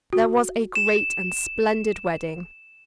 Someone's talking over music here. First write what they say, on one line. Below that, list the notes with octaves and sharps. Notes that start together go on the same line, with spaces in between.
There was a great and splendid wedding.
F#4
E7